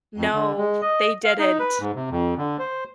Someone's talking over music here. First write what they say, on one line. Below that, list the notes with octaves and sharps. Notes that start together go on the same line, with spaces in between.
No, they didn't.
F2
D3
G#3
D#5
F5
D#4
B4
G#2
C3
F2
D3
C5